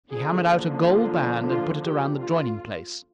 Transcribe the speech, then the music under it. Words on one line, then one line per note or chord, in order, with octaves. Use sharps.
He hammered out a gold band and put it around the joining place.
D3 F3 A#3 D4 G#4
F4
F4
G4
F4